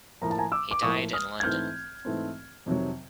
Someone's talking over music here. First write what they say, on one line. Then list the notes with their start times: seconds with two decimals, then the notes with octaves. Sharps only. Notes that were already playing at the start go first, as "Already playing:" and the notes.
He died in London.
0.21 A2 F3 A#3 A#5
0.30 A5
0.38 G#5 A#5
0.52 D6 E6
0.71 D6
0.82 A2 F3 A#3 C#6 D#6
1.13 D#6 F6
1.40 G#6
1.43 G#2 E3 A3 C4 F6 G6
2.05 G#2 E3 A3 C4
2.66 F2 C3 D#3 F#3